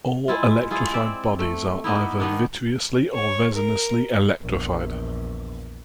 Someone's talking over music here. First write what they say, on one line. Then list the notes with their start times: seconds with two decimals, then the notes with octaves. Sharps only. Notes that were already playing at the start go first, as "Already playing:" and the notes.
All electrified bodies are either vitreously or resinously electrified.
0.28 G#3 E4 F4
0.71 E4 F4 G#4
0.94 C4 D5 E5
1.39 A3
1.84 A#3 B3 D#4 E4
2.20 D#3 B3 D4
3.13 C#5
3.54 A#4
4.41 A#1 E2